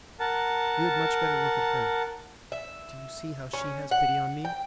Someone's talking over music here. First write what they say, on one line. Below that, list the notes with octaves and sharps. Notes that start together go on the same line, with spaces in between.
You had much better look at her--do you see how she has pity on me?
A#4 F#5 A5
E5
C#4
F#5
G5